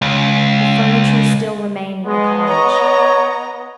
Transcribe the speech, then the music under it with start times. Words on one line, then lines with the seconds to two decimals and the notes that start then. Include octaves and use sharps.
The furniture still remained in the cottage.
0.02 C#2
2.06 G#3 B3 D#5
2.48 C#5 A#5